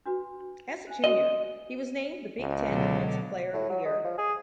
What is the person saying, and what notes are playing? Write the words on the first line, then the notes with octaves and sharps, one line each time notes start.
As a junior, he was named the Big Ten Defensive Player of the Year.
D4 F#4 B4
C5 G#5
C#4 F#4 C5 D#5
C#2
B2 D3 F#3
A2
F#3
G#3
F3
G#4